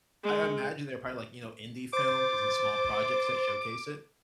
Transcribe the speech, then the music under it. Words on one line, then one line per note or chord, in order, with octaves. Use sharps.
I I imagine they're probably like, you know, indie films and small projects that showcase it,
G#3
C5 D6 A6